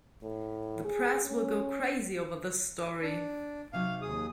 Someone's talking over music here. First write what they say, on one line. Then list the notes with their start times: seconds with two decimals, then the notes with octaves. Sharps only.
The press will go crazy over this story.
0.23 A2
0.85 G#4
1.25 C#4
3.02 D4
3.73 C3 F#3 D#4 F5
4.02 D#2 G#4 D#6